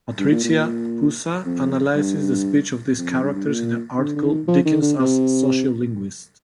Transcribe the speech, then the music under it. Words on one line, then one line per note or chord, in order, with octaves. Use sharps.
Patricia Poussa analyses the speech of these characters in her article "Dickens as Sociolinguist".
G2
A#2
A#2
F2
G2
F2
F2
G2
G2
A#2
D3
D3
D#3
F3
D#3
D3
C3